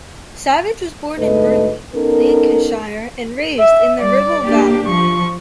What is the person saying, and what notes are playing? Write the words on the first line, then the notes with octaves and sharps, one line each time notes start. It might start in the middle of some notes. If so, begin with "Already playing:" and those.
Savage was born in Burnley, Lancashire and raised in the Ribble Valley.
D2 G#2 A3 A4 B4 D#5
B3 C#4 D#4 A4 A#4
E5
G3 D5
A#3 D4 G4
F3 C#6